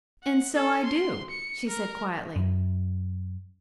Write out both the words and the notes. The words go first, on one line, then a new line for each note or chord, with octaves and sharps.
"And so I do," she said, quietly.
F#5
A4
C6
C#7
A#4
F#2